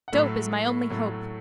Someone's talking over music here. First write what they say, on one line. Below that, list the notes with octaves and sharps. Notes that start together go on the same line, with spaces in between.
Dope is my only hope...
F#5
A2 F#3 A3 E5
A2 F#3 A3